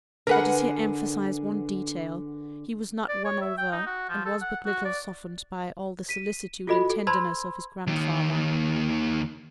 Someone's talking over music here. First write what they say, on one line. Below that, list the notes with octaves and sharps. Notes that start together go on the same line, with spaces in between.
Let us here emphasize one detail, he was not won over and was but little softened by all the solicitude and tenderness of his grandfather.
D3 G#4 A#4 B4 F#5
D5
C#5
E5
G5
D#4
F#4
F3
A4
F#5
F#4
D5
B6 D#7
F4 F#4 A4 D#5 B5
A4
C5 A5 B5 C6 E6 G#6
D#2 D#3